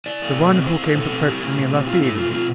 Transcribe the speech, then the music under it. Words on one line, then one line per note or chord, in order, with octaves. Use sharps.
"The one who came to question me last evening."
E4 D5
A3
B2
C4
E4 C5
A3
B2 A4
C4
E4 G4
A3
B2
C4
E4 F4
A3 E4
B2 F4
C4 F4